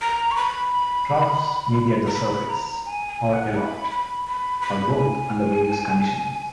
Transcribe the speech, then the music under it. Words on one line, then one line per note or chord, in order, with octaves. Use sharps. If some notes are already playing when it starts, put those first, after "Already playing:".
Troughs may be at the surface, or aloft, or both under various conditions.
A#5
C#6
B5
A#5
B5
A#5
G#5
G#5
F#5
B5
B5
B5
B5
G#5